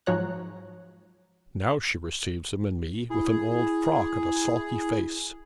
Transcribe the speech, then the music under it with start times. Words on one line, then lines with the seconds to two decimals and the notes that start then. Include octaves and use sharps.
Now she receives him and me with an old frock and a sulky face.
0.06 G#2 F3 F#3 C#5 A#5 F#6
3.10 E4 G#4